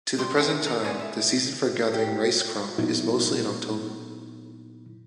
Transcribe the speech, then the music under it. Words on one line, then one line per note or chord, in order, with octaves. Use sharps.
To the present time, the season for gathering rice crop is mostly in October.
G#2 G3 D5 C6
C4 C5 E5 G#5
C#2 A#4
A3 B3 C4 C#5 D5 G#5
E5
G4
A#2 F#3 B3 D#4 E4